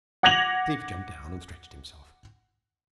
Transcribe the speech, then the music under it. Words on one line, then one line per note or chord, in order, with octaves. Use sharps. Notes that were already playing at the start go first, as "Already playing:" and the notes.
Steve jumped down and stretched himself.
F#5 D6 G#6 A#6 F7 F#7